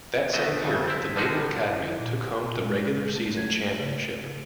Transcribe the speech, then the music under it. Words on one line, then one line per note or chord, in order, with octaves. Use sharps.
That same year the Naval Academy took home the regular season championship.
A#1 E2 A3 B3 C5 D#5
F2 C#3 A3
C4 E4
D3 F3 G3 D#4 F#4 G#4
E4
A#2
G#3
A3
G#6
C#3